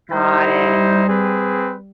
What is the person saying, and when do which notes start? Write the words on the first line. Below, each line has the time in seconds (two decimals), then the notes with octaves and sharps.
Got it.
0.11 G3 D#4 E4 C5
1.07 C4 G#4 B4